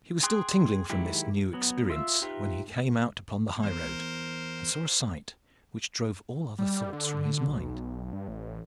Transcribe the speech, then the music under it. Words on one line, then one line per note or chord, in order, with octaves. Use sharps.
He was still tingling from this new experience when he came out upon the high-road and saw a sight which drove all other thoughts from his mind.
G#4 G5 C6 D#6 F#6
D#3 F#3 G#3 E4 G4
F#3 B3
F4 E5 F5 E6
D#4 F4 G4 B4 E5
E2 A#4 C5
G3
D3
B1
G2
A1